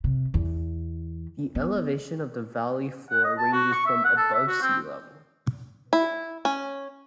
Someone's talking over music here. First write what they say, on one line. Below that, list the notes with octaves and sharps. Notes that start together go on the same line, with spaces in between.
The elevation of the valley floor ranges from above sea level.
C3
E2
B3
F#5
D#5
A5
F#4
C#6
E5
F#5
A4
E5
F#4
C4
E4
C#4